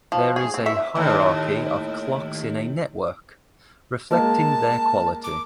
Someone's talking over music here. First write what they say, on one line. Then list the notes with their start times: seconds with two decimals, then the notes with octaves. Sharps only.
There is a hierarchy of clocks in a network, reflecting their quality.
0.12 F3
0.36 G#4
0.54 C4
0.66 E5
0.95 D#2 A2
4.11 G#3 A#3 A5
5.24 D6